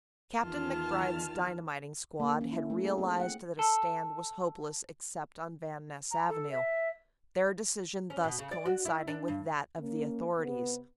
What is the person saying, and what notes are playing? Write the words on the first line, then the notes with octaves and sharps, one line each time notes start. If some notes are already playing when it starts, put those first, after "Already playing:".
Captain MacBride's dynamiting squad had realized that a stand was hopeless except on Van Ness Avenue, their decision thus coinciding with that of the authorities.
E2 D#3 F4 A5 F6
A#3
C#4
E4
A3
G#4
C4
F#5
A4
A#5
A4
E5
C#4
B2
C#3
D5
F#4
E4
D4
G2
A#3 C#4
C3 B3